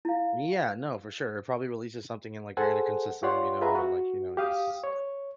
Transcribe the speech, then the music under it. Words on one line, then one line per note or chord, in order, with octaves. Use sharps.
Yeah, no, for sure, it probably releases something in, like, your endocrine system, you know, and, like, you know, jus
E4 F5
G#4 A4 C5 F#5 G#5
F4 G4 C#5 D5 F#5 C6
F4 G#4 B4 E5 A#5
F#4
G4 F5 D#6
C#5